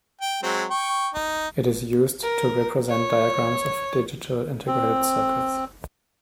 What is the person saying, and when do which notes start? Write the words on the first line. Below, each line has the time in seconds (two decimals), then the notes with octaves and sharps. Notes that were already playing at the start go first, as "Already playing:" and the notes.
It is used to represent diagrams of digital integrated circuits.
0.22 G5
0.43 F#3 G#3 C4
0.70 G5 C#6
1.14 D#4
2.22 A#4
2.88 C#5
4.67 C4